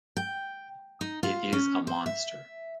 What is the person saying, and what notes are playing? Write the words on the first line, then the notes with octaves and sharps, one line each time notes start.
It is a monster.
G5
D#4
F4
C#4
C5
E5